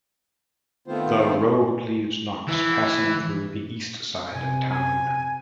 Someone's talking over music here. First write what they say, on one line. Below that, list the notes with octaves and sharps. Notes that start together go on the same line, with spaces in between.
The road leaves Knox passing through the east side of town.
D#3 A3 B3 C4 F4 C5
E3
C3 G#5
G#5